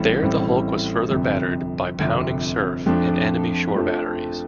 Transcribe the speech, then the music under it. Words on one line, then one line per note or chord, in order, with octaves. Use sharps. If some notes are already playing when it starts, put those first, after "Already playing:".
There the hulk was further battered by pounding surf and enemy shore batteries.
Already playing: A1 A2 G3 C4
A1 A2 G3 C4
G1 F2 C3
G1 F2 C3
F2 F3 A3 D4
F2 F3 A3 D4